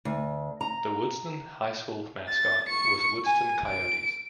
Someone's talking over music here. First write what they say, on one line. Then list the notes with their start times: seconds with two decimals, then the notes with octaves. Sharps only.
The Woodston High School mascot was Woodston Coyotes.
0.05 D2
0.61 A#5
2.29 A6
2.69 C#6 C#7
3.25 G#5
3.67 D7